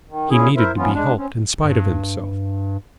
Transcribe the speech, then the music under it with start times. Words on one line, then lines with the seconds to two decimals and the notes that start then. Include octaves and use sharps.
He needed to be helped in spite of himself.
0.08 D#3
0.29 A#2 C#4 E4 G#4
0.56 E4 A#4 C5 E5
0.76 E3 F3 B3 C#4 F4
0.93 G#3 D4
1.17 C4 C#4
1.64 G2